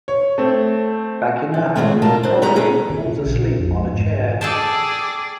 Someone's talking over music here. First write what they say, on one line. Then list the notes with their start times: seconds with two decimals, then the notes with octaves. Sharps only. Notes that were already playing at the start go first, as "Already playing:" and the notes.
Back in her home, Coraline falls asleep on a chair.
0.08 C#5
0.38 A3 C4
1.54 F3
1.75 G#3 A3 C4 G#4 C5
2.02 D2 B2 F4 A#4 A5
2.23 D4 C5
2.42 G3 B3 F#5 A#5
2.56 B2 A#3 C#4 G#4 A4 B4
2.90 D#3
3.06 C#3
3.26 A#1
3.59 F2
3.92 G#2
4.41 G#4 A4 D5 G5 A5